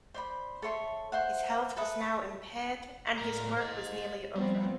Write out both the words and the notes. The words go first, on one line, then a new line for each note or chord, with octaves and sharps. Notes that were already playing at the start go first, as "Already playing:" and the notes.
His health was now impaired and his work was nearly over.
C5 D5 B5
A4 C#5 E5 C6
C5 E5 F#5
A4 B4 E5 D#6
A2 A#4 A#5
C5 D#5
F3 G3 B3 C4